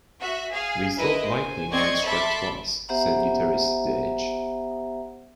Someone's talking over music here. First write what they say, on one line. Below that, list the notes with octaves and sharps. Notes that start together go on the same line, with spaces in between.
"We thought lightning might strike twice", said guitarist The Edge.
F#4 E5
G#4 F5
E4 A#4 B4 D#5
C5 G#5
C4 D5 D#5 C#6 G#6
A4 E5 A5 B5 C6 D6
B3 G4 C5 E5 F#5 A#5